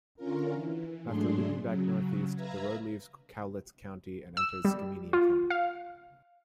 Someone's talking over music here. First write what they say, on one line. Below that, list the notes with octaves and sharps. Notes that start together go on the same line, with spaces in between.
After looping back northeast, the road leaves Cowlitz County and enters Skamania County.
D3 C#4 F4 A#4
E3
G#2 F#3 A3 D4 G#4 C6
C#3 F#3
B4 E5 F5 A#5 G#6 A#6
E6
G3
F4
F5